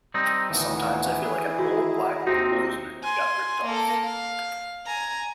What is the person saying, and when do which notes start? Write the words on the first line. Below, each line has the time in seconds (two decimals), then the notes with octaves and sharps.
Sometimes I feel like an old black bluesman who got ripped off.
0.14 G3 C4 D#4
0.50 D2 A2 D#3 E3 B3
1.21 E4 G#4
1.59 D#3 F#4
2.27 D#2 C3 C4 D#4 F#4
3.03 G#5 C6
3.65 A#3 A4
4.05 F5
4.86 G#5 A#5